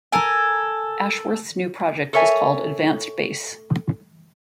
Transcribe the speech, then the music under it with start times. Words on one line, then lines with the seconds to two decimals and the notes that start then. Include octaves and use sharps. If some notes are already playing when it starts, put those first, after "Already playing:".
Ashworth's new project is called Advance Base.
0.12 A4 A#4 G#5
2.13 A4 A#4 C#5 E5 G#5